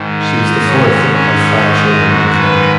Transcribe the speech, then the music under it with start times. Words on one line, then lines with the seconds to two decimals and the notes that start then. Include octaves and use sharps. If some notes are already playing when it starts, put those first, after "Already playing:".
She was the fourth of five children in the family.
Already playing: G#2 D#3
0.20 D#4
0.67 C#4
1.14 C#4
1.61 D#4
2.08 F#4
2.39 B4